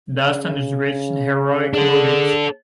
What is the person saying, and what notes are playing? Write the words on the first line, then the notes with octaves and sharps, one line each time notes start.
Dastan is rich in heroic motives.
C#3
D4 G#4 A4